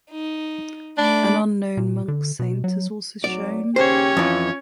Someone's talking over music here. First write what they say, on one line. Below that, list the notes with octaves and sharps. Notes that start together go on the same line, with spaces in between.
An unknown monk saint is also shown.
D#4
A3 D4 B5 D6
A#2
D3
B2
F#3
G#1 F#3 D5
D#2 C#3 C#4 G4 C5 C#5
F2 E3 F4